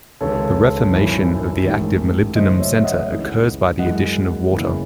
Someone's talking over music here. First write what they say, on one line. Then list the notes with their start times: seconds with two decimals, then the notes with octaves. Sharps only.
The reformation of the active molybdenum center occurs by the addition of water.
0.21 C#2 C3 D#3 A4 C#5
0.92 G#1 F#2 E3
1.64 A1 G#2 D#3
2.36 F#1 F#2 D#3 F#3 A3 C5 D#5
2.59 C#5 E5
2.78 E5
2.84 D#5 F#5
3.07 C#2 C#3 E3
3.79 F#2 E3 G#3 D#5 F#5
4.51 F#1 E2 C#3 E3